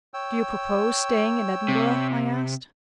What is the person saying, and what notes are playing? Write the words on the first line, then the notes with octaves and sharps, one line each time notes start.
"Do you propose staying in Edinburgh?" I asked.
C#5 G5 E6
C3